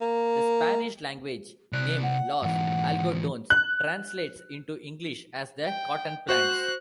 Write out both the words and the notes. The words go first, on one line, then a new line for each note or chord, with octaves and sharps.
The Spanish-language name "Los Algodones" translates into English as "the cotton plants".
A#3
C3 D5 F#6
F#5
G#2 E3 F#5
F#6
G5
F#4 C5 F#6